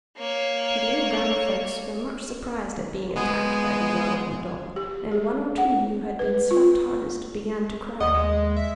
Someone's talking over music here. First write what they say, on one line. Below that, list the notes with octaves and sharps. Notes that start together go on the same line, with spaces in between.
The little brown folks were much surprised at being attacked by the girl and the dog, and one or two who had been slapped hardest began to cry.
A#3 C#5
G#3 B3 G#4
G4
G#4
F#5
B4
F4
D#2 D#5 F#5
G#3
E5